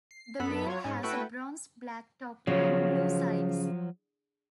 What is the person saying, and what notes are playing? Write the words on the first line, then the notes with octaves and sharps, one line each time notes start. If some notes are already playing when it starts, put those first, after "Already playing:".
The male has a bronze-black top and blue sides.
C7
F#2 B3 A4 B5 B6
F#3 F4 C#5
G#2 C#4
A3 E4 F#4 A4 B4 G5
C#3 F3 F#3